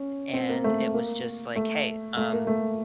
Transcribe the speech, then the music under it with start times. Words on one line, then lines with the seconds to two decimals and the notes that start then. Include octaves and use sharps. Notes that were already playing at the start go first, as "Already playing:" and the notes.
and it was just like, "Hey, um"
Already playing: C#4
0.33 C4
0.49 A#3
0.64 A3
0.94 A#3
1.56 A3
2.17 A3
2.33 A#3
2.47 A3